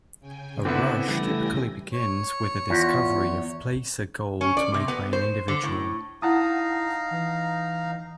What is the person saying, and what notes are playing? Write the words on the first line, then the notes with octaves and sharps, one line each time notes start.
A rush typically begins with the discovery of placer gold made by an individual.
C#3 G5 G#5
D3 B3 C4 D4 E4 E5
E3 G3 A3 E4 A#6
C#5
E2 F4
C#4
D5
C3
B3
C5
D3
A2
D#4 E4 F5 F#5 A5 A#5 D#6
E3